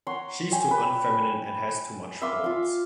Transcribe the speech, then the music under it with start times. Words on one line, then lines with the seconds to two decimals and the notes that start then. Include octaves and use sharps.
She's too unfeminine and has too much balls.
0.07 C#5 F#5 A#5 C6
0.51 C#5 G5 G#5
0.71 B4
2.22 E5 F5 C6 D6
2.44 F4 F5